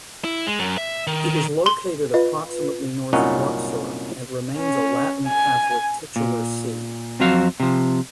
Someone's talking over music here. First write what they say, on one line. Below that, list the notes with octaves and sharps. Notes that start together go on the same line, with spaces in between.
It is located approximately north of Luxor and remains a Latin Catholic titular see.
E4
G#3
F#2
E5
D#3
C6 G7
F4 B4 D#5
C2 F#2 A#2 C#4 D#4 F#5
C#4
G#5
A#2
F2 F#3 C4 F#4 F5
C3 F3